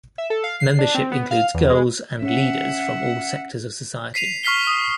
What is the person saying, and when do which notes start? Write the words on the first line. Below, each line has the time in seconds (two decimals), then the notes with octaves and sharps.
Membership includes girls and leaders from all sectors of society.
0.18 E5
0.30 A4
0.44 F5
0.60 C7
0.79 D4
0.95 C4
1.12 B3
1.31 F5
1.54 E2
1.70 G#3
2.22 C#4 E5 F#5
4.14 B6 C7 D#7 F7
4.43 C#6 F6 B6 C7 G7
4.67 D#6